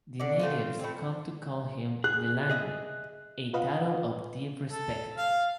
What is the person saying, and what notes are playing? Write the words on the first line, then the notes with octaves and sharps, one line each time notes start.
The natives come to call him the "Langri", a title of deep respect.
D3 D5
A3 C4 F4
A2 C4
G#4 F#6
G#4 D#5 E5
F4 B4 D#5 F5 F#5
A4
F5